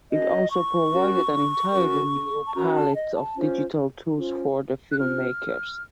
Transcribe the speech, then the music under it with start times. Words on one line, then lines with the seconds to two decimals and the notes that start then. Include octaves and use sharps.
It also provided an entirely new palette of digital tools for the film-makers.
0.11 C#4 F#4 A#4 D#5
0.52 C#6
0.92 C#4 F#4 A#4
1.74 C#4 F#4 A#4
2.46 A5
2.54 C#4 F#4 A#4 A#5
2.75 A5
2.96 D#5
3.15 A5
3.36 C#4 F4 C5
4.16 C#4 F4 C5
4.91 F#6
4.98 C#4 F4 C5 F6